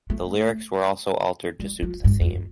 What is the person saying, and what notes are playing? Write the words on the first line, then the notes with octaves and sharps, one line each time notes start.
The lyrics were also altered to suit the theme.
A3
G3
F3
G2
F2